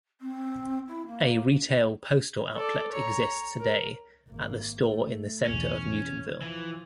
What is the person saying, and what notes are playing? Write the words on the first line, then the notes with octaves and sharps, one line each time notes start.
A retail postal outlet exists today at the store in the centre of Newtonville.
C4
E4
A#3
A4 D5
C#5 A#5
A#4
G#1 A#3
A3
B1 E2 C#4
C#3
E3 F3